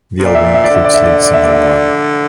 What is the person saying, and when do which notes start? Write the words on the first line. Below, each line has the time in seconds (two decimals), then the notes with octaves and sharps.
The album includes lead single "Liar".
0.19 C3
0.25 A#2 D5
0.35 E5
0.45 D5
0.54 E5
0.64 D5
0.70 D3 E5
0.84 D5
0.94 E5
1.04 D5
1.14 E5
1.23 D5
1.34 E5
1.43 D5
1.52 E5
1.63 D5